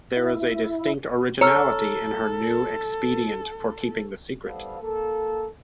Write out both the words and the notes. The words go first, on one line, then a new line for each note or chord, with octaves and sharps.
There is a distinct originality in her new expedient for keeping the secret.
E4
A4 C#5 A#5 E6 F6
E2 G3 B3 A4 C5 F5
A#3 A4